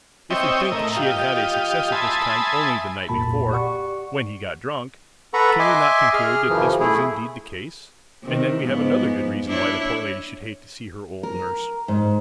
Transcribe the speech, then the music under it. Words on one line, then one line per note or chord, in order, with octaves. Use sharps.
If we think that she had had a success of this kind only the night before, when he got drunk, can we not conclude that this was indeed the case, and then we have another good reason why the poor lady should hate to see her old nurse?
C4 C#5 D#5 E5 G5
A2 A#4 D#5 E5
F4 G4 D#5
E5 G#5 A5 B5 C6 D#6
G1 C2 F2 A#2 A5 B5
G4 D5 F#5 C#6
A4 B4 F#5 A#5 B5 C#6
D#5 E5 G#5 C6 D6
G#4 F6
F#2 C#3 E3 F3
A3 E4 G#4
C3 D#3
G#2 F3 B3
D4 E4 C#5
A#4
G#2